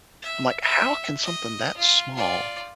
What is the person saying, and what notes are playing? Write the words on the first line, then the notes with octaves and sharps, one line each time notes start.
I'm like, "How can something that small
E5
E5
D#5
F4
F4 D5